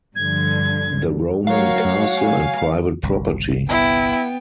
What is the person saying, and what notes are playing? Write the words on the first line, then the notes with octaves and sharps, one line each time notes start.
The Roman castle and private property.
G2 D3 F3 G#6
F#3 A3 F#4 A#4 C#5 F5
G#5
G1 C2
B3 E4 G5